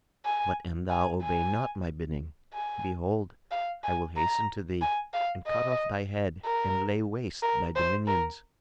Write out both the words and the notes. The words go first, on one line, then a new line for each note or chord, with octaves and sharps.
But an thou obey not my bidding, behold, I will hasten to thee and cut off thy head and lay waste thy dominions.
G#5
G#5
G#5
G#5
F5
G#5
A#5
G#5
F5
D#5
A#4
A#4
C5
A#4